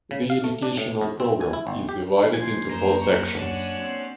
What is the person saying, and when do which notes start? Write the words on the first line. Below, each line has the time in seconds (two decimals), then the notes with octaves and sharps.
The educational program is divided into four sections.
0.11 C#3
0.30 F5
0.44 A3
0.63 D4
0.77 A2
1.01 F2
1.20 C4
1.41 G#5
1.53 E4
1.67 G1
1.89 G4
2.34 F3 A#3 C5 G#5
2.70 F#2 A#4 C5
3.00 C5 C#6
3.34 F#2 C#4 D4 F#4
3.80 C4